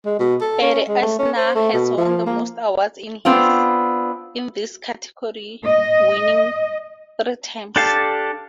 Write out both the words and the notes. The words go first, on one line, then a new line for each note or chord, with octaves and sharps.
Ed Asner has won the most awards in this category, winning three times.
G#3
B2
A4
C#4
G#3
A3
C#4
C5
A3
B2
F3
A#3
B3 C4 D4 F4
D#5
D4 G4 A4 F5 A5